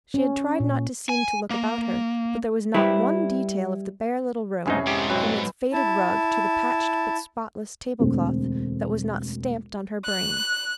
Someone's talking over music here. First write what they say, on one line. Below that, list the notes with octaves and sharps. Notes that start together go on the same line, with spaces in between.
She had tried not to seem to look about her; but there was not one detail of the bare little room, from its faded rug to the patched but spotless tablecloth, that was not stamped on her brain.
C#4
A#2
G#5
A#3
G3 E4 B4
F1 B1 G#2 E3 C#4 D#4 G#4 E5
G#2 G4 A4
B2 F#3 C4 E4
E4 A5
E1 D2 C4
F#6